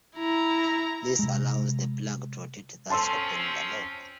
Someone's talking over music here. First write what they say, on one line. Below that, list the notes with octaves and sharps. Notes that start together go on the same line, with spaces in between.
This allows the plug to rotate, thus opening the lock.
E4 A#5
C3 G#3
F3 C4 C#4 A5 C6 E6